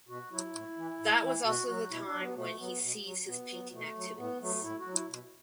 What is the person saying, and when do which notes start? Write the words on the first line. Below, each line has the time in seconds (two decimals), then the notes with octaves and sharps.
That was also the time when he seized his painting activities.
0.08 B2 F#4
0.31 F#3 E4
0.54 A2
0.77 E3
1.00 A2
1.22 E3
1.44 B2 F#4
1.68 F#3 F#4
1.90 B2 E4
2.06 D4
2.13 F#3
2.21 B3
2.35 B2 A3
2.58 F#3 B3
2.82 B2
3.04 F#3
3.26 B2 B3
3.50 F#3
3.72 B2 A3
3.96 F#3
4.18 A2 B3
4.40 F#3 A3
4.63 A2 E4
4.79 F#4
4.85 F#3
4.93 E4
5.09 B2